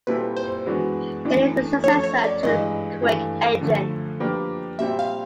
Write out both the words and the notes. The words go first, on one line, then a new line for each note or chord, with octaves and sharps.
It is the successor to the "Quake" engine.
A#2 G3 C4 E4 A4 B4
C5
E3 G#3 B3 D4 F#4
A2 E3 A3 D4
F3 A3 C#4 C#5
C#5
D5
G2 E3 G#3 D#5
G2 E3 A3
D3 F3 A3
F3 A#3 D4 G4 B4
A#2 G3 C4 E5
F5